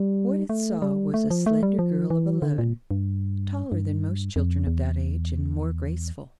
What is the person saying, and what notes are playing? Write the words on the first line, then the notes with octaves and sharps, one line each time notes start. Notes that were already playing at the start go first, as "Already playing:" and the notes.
What it saw was a slender girl of eleven, taller than most children of that age, and more graceful.
Already playing: G3
A3
G3
A3
F3
A3
G3
F3
E3
D3
A#2
G2
G2
F2
E2